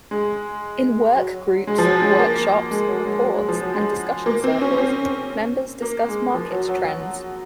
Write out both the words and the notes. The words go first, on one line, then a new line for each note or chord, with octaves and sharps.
In work groups, workshops, reports and discussion circles, members discuss market trends.
G#3
F#3
G#3
F3
F#3
G#3
A#3
G#3
F#3
G#3
F#3
G#3
F3
F#3
G#3
A#3
C4
C#4
C4
A#3
G#3
F3
F#3
F#3